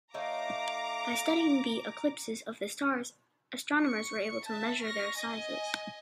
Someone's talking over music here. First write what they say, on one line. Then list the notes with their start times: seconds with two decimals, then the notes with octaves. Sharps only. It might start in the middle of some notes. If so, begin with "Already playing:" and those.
By studying the eclipses of the stars, astronomers were able to measure their sizes.
0.14 A3 D#4 C#5 F5 A#5 D6
3.81 C#6 C#7
4.44 E5 A5
4.82 C#6 F6 A#6
5.18 D#5 G#5